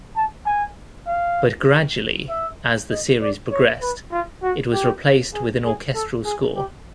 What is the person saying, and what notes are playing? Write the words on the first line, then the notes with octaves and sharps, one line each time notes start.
But gradually, as the series progressed, it was replaced with an orchestral score.
A5
G#5
F5
E5
D#5
D5
C#5
B4
F4
F#4
G4
G#4
G#4
A4
G#4
G4